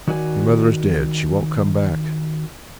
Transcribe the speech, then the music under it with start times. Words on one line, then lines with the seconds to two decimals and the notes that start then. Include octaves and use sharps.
"Your mother is dead; she won't come back."
0.07 D#3 F#4 D5 G#5